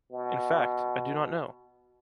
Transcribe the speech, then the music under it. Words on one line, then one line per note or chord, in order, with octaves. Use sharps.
In fact ,I do not know.
B2